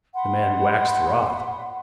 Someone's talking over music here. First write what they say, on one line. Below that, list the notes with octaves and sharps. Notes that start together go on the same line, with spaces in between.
The man waxed wroth.
F#5 B5 C6